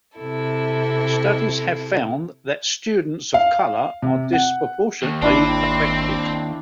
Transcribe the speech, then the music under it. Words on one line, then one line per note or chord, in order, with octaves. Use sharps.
Studies have found that students of color are disproportionately affected.
C3 E4 A4
F5
C3
F#5
D#2
G#1 C4 D4 E4 D5